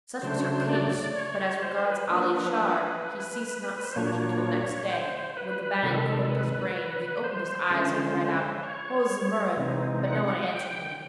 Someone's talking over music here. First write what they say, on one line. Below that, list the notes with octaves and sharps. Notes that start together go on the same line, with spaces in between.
Such was her case; but as regards Ali Shar, he ceased not sleeping till next day, when the Bhang quitted his brain and he opened his eyes and cried out, "O Zumurrud"; but no one answered him.
C#3 F#3 A3 D4 C5
C#5
C5
D5
D5
C#5
C#5
C5
B4
F3 A#3 D4
B4
C5
A#2 F#3 A#3 D4 C#5
C#5
C5
B4
C3 D#3 G#3 A4
B4
B4
C5
D3 F3 G#3 C#4
C#5
C3 E3 G#3 C4 D#4
F#5
G5